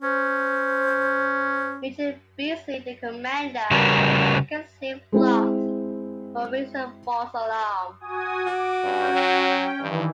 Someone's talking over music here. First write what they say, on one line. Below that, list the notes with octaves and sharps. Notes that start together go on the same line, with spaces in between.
Major Beasley, the commander, had the second slave flogged for "raising a false alarm".
C#4 C5
C#3 G3 C#4 F#4 A#4 B4
G#3 C4 E4
F#4 G#5 D#6
F#4 D6
G2 C#4 G5
F#3
G2 D#3 E3